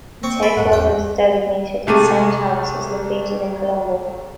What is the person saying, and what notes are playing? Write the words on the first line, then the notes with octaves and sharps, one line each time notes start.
Its headquarters designated "Senate House" was located in Colombo.
A#3 C4 C#6
A4 B5
D#1 G#2 F#5
A1 E2 G5
C2 G#3 A3 D6 D#7